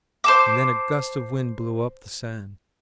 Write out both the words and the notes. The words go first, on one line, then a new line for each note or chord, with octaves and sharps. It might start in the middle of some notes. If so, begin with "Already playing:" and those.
And then a gust of wind blew up the sand.
C5 A5 D6